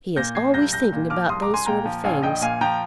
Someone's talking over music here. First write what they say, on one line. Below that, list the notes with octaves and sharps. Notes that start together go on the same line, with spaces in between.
He is always thinking about those sort of things.
A#2 G6 A#6
F3 G#6 C7
C2 G6 A#6
C2 G6 A#6
A#2
F3 D6 F6
C2 C6 D#6
A#5 D6
C2
G#5 C6
A#2 G5 A#5
F3
A#1 F5 G#5
A#1 D#5 G5
A#2 F5 G#5
F3 G5 A#5